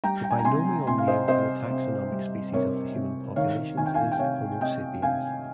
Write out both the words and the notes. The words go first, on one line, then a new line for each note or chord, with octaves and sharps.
The binomial name for the taxonomic species of the human population is "Homo sapiens".
G3 G5 A#5
G5
G#5
A#5
C3 G#5 C6
C3 G#5 C6
F5
C5 D#5
C3 C5 D#5
C3
G3
C3 A#4 C#5
C3
D#3 C#5 F5
D#3 G#5
G5
F5 G#5
G5
C3 C#5 F5
C3 D#5 G5
C3 F5 G#5